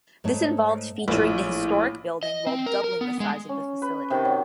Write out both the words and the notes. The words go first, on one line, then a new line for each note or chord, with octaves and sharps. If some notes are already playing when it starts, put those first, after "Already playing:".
This involved featuring the historic building while doubling the size of the facility.
G#2 A3 C#5
A#1 A2
D#5
C4
A#4
A#4
B3
G#3
C#4
B4
C3 D#3
F#3